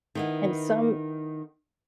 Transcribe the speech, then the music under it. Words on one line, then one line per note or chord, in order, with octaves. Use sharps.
And some
D#3 B3 E4